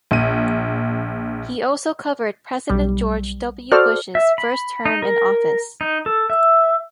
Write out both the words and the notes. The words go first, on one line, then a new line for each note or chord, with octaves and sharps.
He also covered President George W. Bush's first term in office.
A#1 D#7
B1 G3
F#4 A4 C5 D5 F6
E5
B5
D#4
A#4
D#4
A4
E5